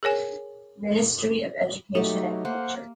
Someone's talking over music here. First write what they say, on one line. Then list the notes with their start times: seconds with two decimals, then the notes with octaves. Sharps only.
Ministry of Education and Culture.
0.03 G#4 A#4 C#5 G#5
1.95 F#3 A3 D#4 G4 A4
2.45 A#3 C5 F#5